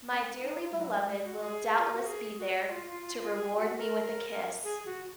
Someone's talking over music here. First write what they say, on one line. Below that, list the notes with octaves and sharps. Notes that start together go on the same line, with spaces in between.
My dearly beloved will doubtless be there to reward me with a kiss.
C4
D#4
G#3
F#3
G#3
G#3
F#4
G#4
F4
F#4
G#4
F#4
F#4
F4
F4
F4
F4
G#4
F#4
A#4
G#4
F#4